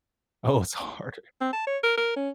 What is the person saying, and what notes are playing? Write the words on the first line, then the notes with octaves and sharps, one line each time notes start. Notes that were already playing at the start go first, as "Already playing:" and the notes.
Oh, it's harder.
C4
A5
C#5
A#4
A#4
C#4